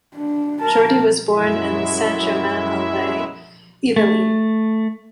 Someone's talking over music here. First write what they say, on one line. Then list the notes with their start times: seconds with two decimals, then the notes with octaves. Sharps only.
Jordy was born in Saint-Germain-en-Laye, Yvelines.
0.15 D4
0.61 A#4 A5
1.33 F#2 F#3 G#3 E4 E5
3.96 A3